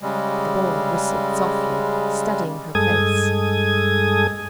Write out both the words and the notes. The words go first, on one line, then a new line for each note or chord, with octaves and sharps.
The boy whistled softly, studying her face.
C#3 G3 G#3
G2 G#3 A4 G#5 D#6 G#6